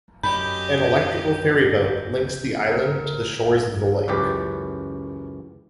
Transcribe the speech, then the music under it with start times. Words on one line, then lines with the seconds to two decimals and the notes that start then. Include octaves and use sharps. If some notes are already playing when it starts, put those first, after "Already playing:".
An electrical ferry boat links the island to the shores of the lake.
0.23 F#2 G4 D#5 B5 G6
2.69 A#4 F6
4.08 C#2 F#2 E3 G4